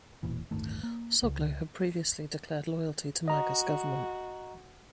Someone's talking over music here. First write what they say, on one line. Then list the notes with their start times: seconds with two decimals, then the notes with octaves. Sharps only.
Soglo had previously declared loyalty to Maga's government.
0.23 E1 A#2 E3
0.51 D1 G1 D#3 A3
0.83 A#3
1.24 C#2
3.28 F#4 D#5 A#5